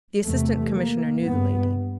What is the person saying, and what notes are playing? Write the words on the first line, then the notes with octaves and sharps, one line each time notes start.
The Assistant Commissioner knew the lady.
E2 C3 A3
A#3
G2 B3